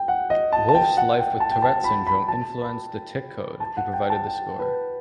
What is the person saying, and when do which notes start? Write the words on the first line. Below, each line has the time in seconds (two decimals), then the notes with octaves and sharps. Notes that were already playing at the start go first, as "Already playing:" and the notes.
Wolff's life with Tourette syndrome influenced "The Tic Code"; he provided the score.
Already playing: G5
0.08 F#5
0.30 D#5
0.52 A5
0.69 A5
0.75 G5
0.97 F#5
1.19 G5
1.40 A5
1.51 G5
1.62 A5
1.84 B5
2.07 B5
2.28 A5
2.62 B5
3.60 A5
3.77 F#5
3.93 G5
4.10 A5
4.27 G5
4.59 B4